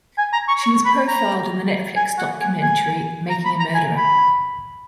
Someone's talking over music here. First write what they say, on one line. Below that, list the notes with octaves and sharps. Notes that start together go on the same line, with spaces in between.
She was profiled in the Netflix documentary "Making a Murderer".
G#5
A#5
C#6
C#6
B5
A#5
G#5
F#5
G#5
G#5
A#5
B5
A#5
G#5
B5